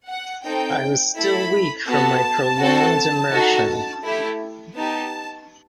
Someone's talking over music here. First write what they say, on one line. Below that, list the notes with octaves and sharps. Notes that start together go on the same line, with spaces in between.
I was still weak from my prolonged immersion.
F#5
C4 D#4 A4 G5
A3 E4 A4 B5
B3 F#4 A4 A5
C4 F#4 A4
D#4 F#4 A4
A3 E4 G4
B3 D#4 G4 A5